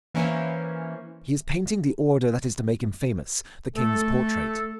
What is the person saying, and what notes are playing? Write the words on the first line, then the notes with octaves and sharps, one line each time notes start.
He is painting the order that is to make him famous: the King's portrait.
E3 A#3 C#4 E4 C5
A3 A4